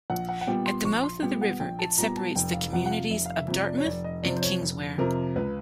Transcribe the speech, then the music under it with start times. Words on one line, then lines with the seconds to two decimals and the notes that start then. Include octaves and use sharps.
At the mouth of the river, it separates the communities of Dartmouth and Kingswear.
0.10 A#1 F#5
0.29 F#5
0.41 F#5
0.47 A#2 G3 B3 G5
0.66 C6
0.84 A#1 C#6
1.03 C6
1.22 A#2 G3 B3 G5
1.41 F#5
1.60 A#1 G5
1.79 A5
1.98 A#2 G3 B3 A#5
2.17 A5
2.35 F1 G5
2.54 F5
2.73 F2 C3 F3 F#5
2.86 F#5
2.91 F5
3.10 F1 E5
3.26 F5
3.36 E5
3.48 F2 C3 F3
3.60 D5
3.78 C#5
3.85 F1 D5
4.04 D#5
4.23 F2 C3 F3 D5
4.36 C5
4.42 C#5
4.60 F1
4.98 F2 C3 F3 A#4
5.36 C#2 B4